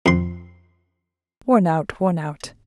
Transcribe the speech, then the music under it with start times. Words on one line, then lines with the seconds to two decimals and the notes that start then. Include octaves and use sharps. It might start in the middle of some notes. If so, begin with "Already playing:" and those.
"Worn out! worn out!"
0.06 F2 C6